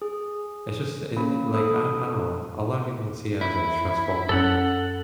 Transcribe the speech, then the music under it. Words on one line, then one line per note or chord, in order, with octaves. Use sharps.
it's just i it, like I I don't know. A lotta people would see it as, like, stressful
G#4
A#3 C#4 B5
A4 B5 D#6
E4
F#2 C#4 A4 F#5